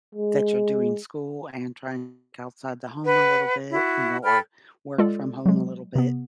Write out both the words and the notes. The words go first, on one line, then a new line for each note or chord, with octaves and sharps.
that you're doing school and trying c outside the home a little bit, you know, or work from home a little bit,
G#3
B4 F#5
E4 F#4
A4 G5 B5 F6
G#3 F4 A4 D5
F#3 G#3
C3 B3